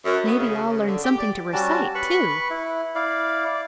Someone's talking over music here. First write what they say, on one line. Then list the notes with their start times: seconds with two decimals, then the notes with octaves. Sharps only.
"May be I'll learn something to recite, too."
0.05 F#2
0.25 B3
0.37 C#3
0.69 C#3
0.86 D3
1.04 G4
1.17 D5
1.53 G3 C#4 F#4 A5
1.95 B4 B5 C#6
2.50 E4
2.95 E4 D5 F5
3.46 D5